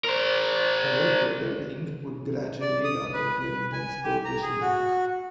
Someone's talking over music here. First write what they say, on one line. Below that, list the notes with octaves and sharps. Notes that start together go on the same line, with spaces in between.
A well-prepared ink would gradually darken to an intense purplish black.
A#4 C5
D5
D#6
B4
B4
G#5
G4
A#5
G#4
F#4